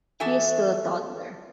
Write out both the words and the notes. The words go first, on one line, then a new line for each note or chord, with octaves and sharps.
He is still a toddler.
E2 F#4 A4 E5 G#5